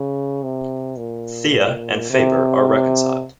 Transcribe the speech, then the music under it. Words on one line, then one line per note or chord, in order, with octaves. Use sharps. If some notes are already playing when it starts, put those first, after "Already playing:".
Thea and Faber are reconciled.
Already playing: C#3
C3
A#2
C3